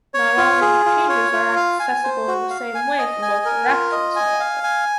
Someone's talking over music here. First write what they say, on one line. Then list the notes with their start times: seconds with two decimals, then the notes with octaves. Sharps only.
Not all interchanges are accessible in the same way from both directions, however.
0.14 C#5
0.37 F4
0.61 G#4
0.86 F4
1.09 C#5
1.32 F4
1.56 F5
1.80 G#5
2.04 C5
2.28 F#4
2.50 F5
2.75 G#5
2.98 D#5
3.22 G#5
3.45 A#4
3.69 F4
3.92 D#5
4.16 G#5
4.40 F5
4.64 G#5